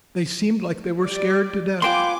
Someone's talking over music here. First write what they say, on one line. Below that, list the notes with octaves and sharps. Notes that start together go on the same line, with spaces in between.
They seemed like they were scared to death.
G3 D5
B3 F4 G5 G#5 C6 D6